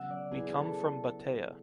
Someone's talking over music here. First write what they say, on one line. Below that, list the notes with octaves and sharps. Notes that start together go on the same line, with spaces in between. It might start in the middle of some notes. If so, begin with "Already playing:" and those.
We come from Batea.
Already playing: C#3 F#3 B3 E5 F#5
D5
B3 E4 G#4 B4
A4